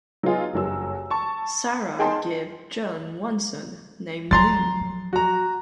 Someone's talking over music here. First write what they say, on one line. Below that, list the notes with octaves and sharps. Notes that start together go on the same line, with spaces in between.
Sarah gave John one son, named Leigh.
F#3 B3 D#4 F4 G#4
F#1 G2 F#3 A#4 E6
A5 C#6
D#4 G#4 A#4 G5 A5 C6
F3 F#3 A#5 C6 A6
F#4 A#5